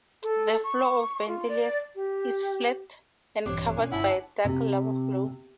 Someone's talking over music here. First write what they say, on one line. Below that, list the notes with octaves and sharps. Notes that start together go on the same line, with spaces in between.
The floor of Vendelinus is flat and covered by a dark lava flow.
A4
C#6
F4
D5
G4
A#1 G2 C3 E3 D4 C5 C#5
B2 C#4 G#5
G1 E4 F#5 G#5 A5
C3